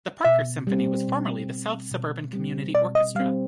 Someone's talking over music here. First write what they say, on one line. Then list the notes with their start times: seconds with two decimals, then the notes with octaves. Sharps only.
The Parker Symphony was formerly the South Suburban Community Orchestra.
0.24 B2 E5
0.67 G3 C4
1.08 B2
1.50 G3 C4
1.91 B2
2.33 G3 C4
2.75 B2 D5
2.95 D#5
3.15 G3 F5
3.20 C4